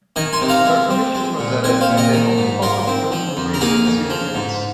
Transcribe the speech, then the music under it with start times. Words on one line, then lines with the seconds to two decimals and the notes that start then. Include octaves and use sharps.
Air conditioning was added and the opening hopper windows replaced with sealed units.
0.16 D#3 D#5 G#5
0.33 G#5 C6
0.41 C3
0.49 F5 A#5
0.66 G#3
0.90 C4
1.15 G#3
1.39 A#2
1.64 C4 D#5 G#5
1.81 C5 F5
1.89 A#2
1.97 A#4 D#5
2.13 D#3
2.38 G#2
2.62 G#3 F4 A#4
2.87 C4
3.12 F3
3.37 F2
3.54 A#4
3.61 A#3 D#4 G#4
3.85 F2
4.10 F3
4.35 G#2